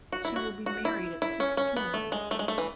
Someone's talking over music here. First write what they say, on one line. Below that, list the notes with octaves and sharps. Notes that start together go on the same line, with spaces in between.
She will be married at sixteen!
F#4
E4
F#4
F#4
E4
E4
C#4
C#4
B3
A3
G#3
A3
G#3
A3
E3